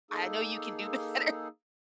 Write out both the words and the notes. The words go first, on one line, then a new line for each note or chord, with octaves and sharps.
I know you can do better."
A#3 D#4 G#4 A4